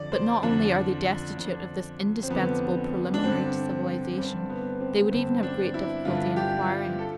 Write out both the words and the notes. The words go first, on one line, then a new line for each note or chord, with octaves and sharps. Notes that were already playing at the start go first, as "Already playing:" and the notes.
But not only are they destitute of this indispensable preliminary to civilization, they would even have great difficulty in acquiring it.
Already playing: F2 D3 D5
C5
F2 D3 D4
F2 D3
C4
F2 D3 B3
D4
G2 D3 C4
G2 D3 C4
B3
C4
G2 D3 C4
D4
E4
G2 D3 F4
G4
F4
A4